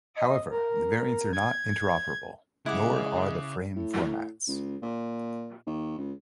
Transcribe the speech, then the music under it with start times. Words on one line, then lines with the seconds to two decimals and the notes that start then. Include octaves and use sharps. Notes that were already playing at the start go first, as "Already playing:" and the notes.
However the variants are not interoperable, nor are the frame formats.
0.16 D#5
0.51 A#4
1.33 G#6
2.66 C#3 G#3 E4 F#5 D6 D#6 F#6
3.76 A2
4.48 C#2
4.82 A#2
5.66 D#2
5.98 C#2